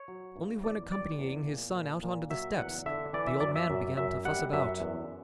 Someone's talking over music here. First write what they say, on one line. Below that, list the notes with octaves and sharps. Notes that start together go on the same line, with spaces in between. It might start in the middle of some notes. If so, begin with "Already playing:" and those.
Only when accompanying his son out on to the steps, the old man began to fuss about.
Already playing: C#5
F#3
G2
E2 D5
G3 D5
E2
A#2
A#2
A#2
F#3 E5
E2 F#5
D3 E5
E3 D5
E5
F#2 D5
E5
F#2
F#2 E5
G3 F#5
F#2 E5
E2